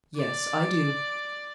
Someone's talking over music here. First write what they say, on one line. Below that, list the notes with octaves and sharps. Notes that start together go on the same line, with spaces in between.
"Yes, I do."
D5